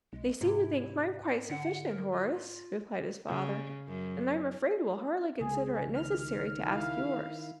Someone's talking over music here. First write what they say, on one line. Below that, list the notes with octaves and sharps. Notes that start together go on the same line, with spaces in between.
"They seemed to think mine quite sufficient, Horace," replied his father, "and I'm afraid will hardly consider it necessary to ask yours."
B1 G#3
G#2 C3 E4
D3 F#5
A#4
F4
C#3
F#2
C2 C#3 G#3 G#4
D#3 F6
E4 F5